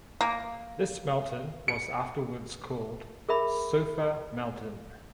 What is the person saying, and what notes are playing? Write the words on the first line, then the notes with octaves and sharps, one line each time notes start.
This mountain was afterwards called Sofa Mountain.
A#3
C#7
G#4 A#4 E5 B5